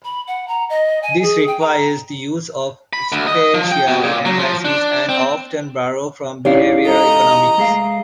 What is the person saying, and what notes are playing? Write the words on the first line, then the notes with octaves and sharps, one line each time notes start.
This requires the use of spatial analysis and often borrows from behavioral economics.
B5
F#5
A#5
D#5
G#5
G#4
G5
A#5
B5
D2
D#5
F3
G5
B2
A#2
F#3
F3
D4
C4
E3 C#4 D#4 E4 G4 C#5 D5 F5
G#3 A4 D#5 A#5
G#3 A3 G#4 F5